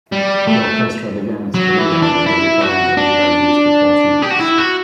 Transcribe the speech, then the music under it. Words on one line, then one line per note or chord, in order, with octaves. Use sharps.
The orchestra began its career with a recording of Vivaldi's "The Four Seasons".
G3
A3
F#3
E3
D4
E4
F#4
D4
G4
F#4
E4
F#4